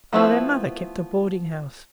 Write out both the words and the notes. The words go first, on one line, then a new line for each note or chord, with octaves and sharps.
'Oh! their mother kept a boarding-house.
F3 A3 B3 C4 E4